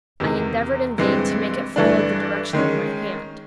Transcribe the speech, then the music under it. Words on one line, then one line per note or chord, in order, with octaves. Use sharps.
I endeavored in vain to make it follow the direction of my hand.
E2 C3 D#3
G2 E3 G#3 C4
G2 E3 A3 D4
D#3 G#3 C#4